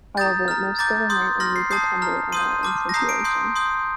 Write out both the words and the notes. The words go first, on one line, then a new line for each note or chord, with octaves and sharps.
However, most still remain in legal tender and are in circulation.
A#5 D#6 G6 A6
A#5 F6
A#5 D6 G6 A6
C6 D#6 G6
C6 F6 A#6
C7
A5 D#6 G6 C7
A#5 F6
C6 D#6 G6 D#7
A5 D6 F6
A#6
A#5 D#6 G6 C7
D7
C6 D#6 G6
C6 D#6 G6